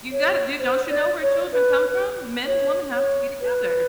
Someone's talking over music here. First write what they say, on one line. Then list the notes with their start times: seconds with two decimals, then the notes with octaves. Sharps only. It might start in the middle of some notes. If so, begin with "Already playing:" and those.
You gotta do don't you know where children come from? Men and women have to be together.
0.12 C#5
0.59 C5
0.90 D5
1.22 C#5
1.53 B4
2.47 C#5
2.94 C#5
3.41 B4